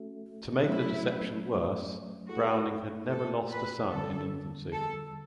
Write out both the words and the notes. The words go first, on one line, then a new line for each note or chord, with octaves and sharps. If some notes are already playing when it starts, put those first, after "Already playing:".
To make the deception worse, Browning had never lost a son in infancy.
Already playing: A3 C#4 F#4 A4 E5
F#3 A3 C#4 E4
A3 E4 F#4 A4
A4
B4
E2 D3 G3 A4
A4